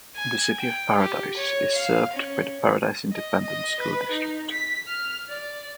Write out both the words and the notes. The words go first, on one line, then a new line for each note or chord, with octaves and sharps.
The City of Paradise is served by the Paradise Independent School District.
G#5
G5
G4
C#5
F5
C#4
D#5
D#5
B4
D#4
B6
F6
D5